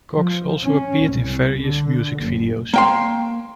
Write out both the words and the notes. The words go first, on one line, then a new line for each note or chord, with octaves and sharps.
Cox also appeared in various music videos.
F3
C#4
C2
D3
F#1
A#3 G5 C6